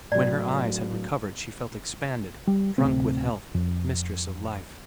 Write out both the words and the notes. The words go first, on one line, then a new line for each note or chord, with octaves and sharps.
When her eyes had recovered she felt expanded, drunk with health, mistress of life.
A2 F#3 D5
G3
D1 C3 A3 C4
F2